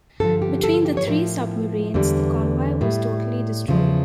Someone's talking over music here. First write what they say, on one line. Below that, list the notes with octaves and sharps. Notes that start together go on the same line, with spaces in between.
Between the three submarines, the convoy was totally destroyed.
G2 D3 F3 A4
G4
A4
G4
C#5
A2 F3 A#4
E2 D3 G3
A2 G3
E2 C#3 F3